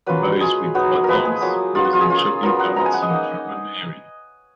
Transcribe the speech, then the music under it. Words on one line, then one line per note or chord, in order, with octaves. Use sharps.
Boys with bottles pose in shopping carts in urban area.
F#3 A#3 C#4 F4 B4
G#3 C#4 F4 G#4
F#3 B3 D#4 F#4
F3 G#3 B3 A#4 B4
G#4
F#3 A#3 F4
F#3 B3 D#4 F4
F#4
F4
G#4
A#3 C#4 F4
F#3 B3 F4 A#4
F#5
F3 G#3 B3 A#5
G#5
F#5
D#5
A#3 D#4